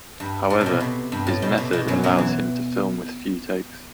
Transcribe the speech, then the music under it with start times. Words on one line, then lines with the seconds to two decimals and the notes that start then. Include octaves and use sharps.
However, his "method" allows him to film with few takes.
0.20 G2
0.50 A2
0.61 C3
0.66 B2
0.80 C3
1.12 G2
1.27 A2
1.42 B2
1.58 C3
1.73 B2
1.88 F#2 F#3
2.03 F#2 F#3
2.18 E3